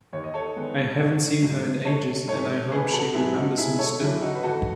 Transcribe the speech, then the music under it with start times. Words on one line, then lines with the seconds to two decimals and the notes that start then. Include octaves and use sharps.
I haven’t seen her in ages, and I hope she remembers me still!
0.13 D#2 C#5
0.24 D#5
0.34 A4 C#5
0.56 D#3 G#3 B3
0.99 G#1
1.42 G#2 F#3 A3
1.85 G#1 A4 C#5
2.28 G#2 E3 A4 C#5
2.72 A1 G#4 B4
2.88 B4
2.92 F#4 A4
3.14 G#2 F#3 B3 E4 G#4
3.36 D#4 F#4
3.57 E1 E4 G#4
3.79 A4 C#5
4.00 D#2 C#3 F#3 E4
4.22 D#4 F#4
4.35 B4
4.43 G#1 F#4 A4